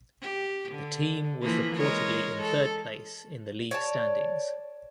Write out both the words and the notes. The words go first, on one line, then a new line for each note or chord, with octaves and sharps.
The team was reportedly in third place in the league standings.
G4
D3
E3 F3 A#3
G#3 A#4 C#5
A4
C#5 D5 A5